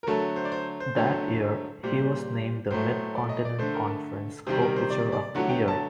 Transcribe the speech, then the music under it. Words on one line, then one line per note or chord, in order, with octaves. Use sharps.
That year, he was named the Mid-Continent Conference co-Pitcher of the Year.
A#4
D3 F#3 A3 A4
C5
D5
C5
C5
D3 F#3 A3
A#2 G3 C5
A2 F#3 A3 C5
D5
D#5
D5
D3 A3 C5
A#4
A4
C3 D#3 G3 C5
A#4
C5
D5
D5
D3 F#3 A3 F#5
G5
A5